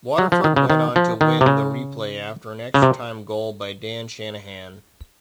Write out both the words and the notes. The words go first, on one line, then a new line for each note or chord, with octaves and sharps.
Waterford went on to win the replay after an extra-time goal by Dan Shanahan.
F#3
F3
D#3
C#3
D#3
F3
D#3
C3
C#3
C#3
C3